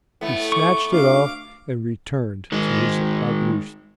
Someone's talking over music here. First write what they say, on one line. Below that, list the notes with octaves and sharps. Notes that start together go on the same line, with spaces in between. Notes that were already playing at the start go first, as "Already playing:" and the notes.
He snatched it off and returned to his ablutions.
A2 A3 B3
C#6 D6
D2 F5 D6
D#3 G#3